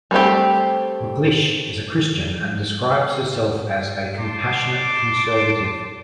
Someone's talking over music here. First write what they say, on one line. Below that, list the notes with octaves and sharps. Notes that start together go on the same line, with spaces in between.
McLish is a Christian and describes herself as a compassionate conservative.
G3 A3 C4 G4
A5 C6 D6